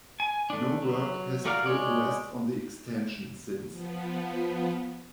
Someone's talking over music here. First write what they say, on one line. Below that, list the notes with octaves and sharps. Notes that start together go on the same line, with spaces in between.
No work has progressed on the extension since.
G#5
A3 D4
F#3
A3 F#4 A#4 D5 F5
G#3 C#5 D5
F3 B3